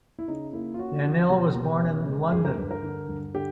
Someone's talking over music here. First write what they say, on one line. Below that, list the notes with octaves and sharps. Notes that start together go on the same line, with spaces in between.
Daniell was born in London.
E4
C#3 D#4
A#3 E4
F4
C#4 F#4
F3
B2 G4
B2
C#4
G#3
G2 G#4
A#4
G2 B4
A#4
D3
G2
D3 G4